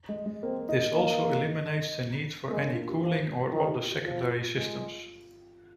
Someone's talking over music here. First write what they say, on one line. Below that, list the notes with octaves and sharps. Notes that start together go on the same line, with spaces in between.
This also eliminates the need for any cooling or other secondary systems.
G#3
G#3
A#3 C4
D#4
A#3 D#4
G#3 A#3
D4
F4
G4
F3
D#3 F4
G4
F4
F4
F3 F4
G#3